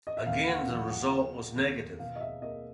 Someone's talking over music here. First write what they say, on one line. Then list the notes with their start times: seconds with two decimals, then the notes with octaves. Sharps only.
Again, the result was negative.
0.07 D#5
0.17 E5
0.26 D#2 F5
0.48 F#5
0.70 F3 F#5
0.91 F#5
1.14 C#3
1.56 D#2
1.99 B2 F5
2.16 D#5
2.21 E5
2.42 A#3 D#5